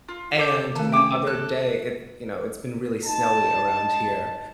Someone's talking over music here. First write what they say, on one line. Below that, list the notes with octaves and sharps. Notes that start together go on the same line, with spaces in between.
and the other day, it you know, it's been really snowy around here.
F4
A4 D6 G6
D#3 A3 A4 B4
C#4 E5 G5 D6
A4 F#6
D#4 A5